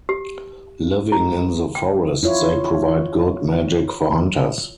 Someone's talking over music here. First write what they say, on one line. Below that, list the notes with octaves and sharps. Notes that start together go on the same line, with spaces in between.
Living in the forest, they provide good magic for hunters.
G4
E4
G5
E4 F4 C#5